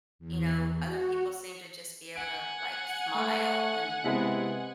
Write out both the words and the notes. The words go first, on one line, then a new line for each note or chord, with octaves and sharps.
You know, other people seem to just be able to, like, smile and
E2
F#4
F#5 G#5 D7
A3
C3 G#3 B3 E4